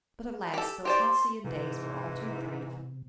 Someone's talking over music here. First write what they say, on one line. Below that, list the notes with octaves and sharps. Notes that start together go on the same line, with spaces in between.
But, alas! those halcyon days were all too brief.
G4 A4
G4 C5 D5 C6
G#2 C3 E3